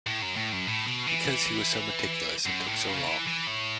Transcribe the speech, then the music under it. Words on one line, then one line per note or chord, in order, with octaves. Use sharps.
Because he was so meticulous and took so long.
A2
F#2
A2
F#2
A2
B2
E3
F#2
A2
C#3
E3
E3
A2